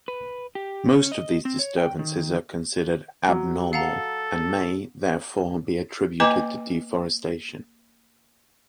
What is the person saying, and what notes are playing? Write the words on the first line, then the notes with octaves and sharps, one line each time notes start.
Most of these disturbances are considered abnormal and may, therefore, be attributed to deforestation.
B4
G4
C#4
D#5
C4
C#5
G5
D#3
F#3
A4 F5 F#5 A#5
A#3 B4 D#5 G#5 A#5 D6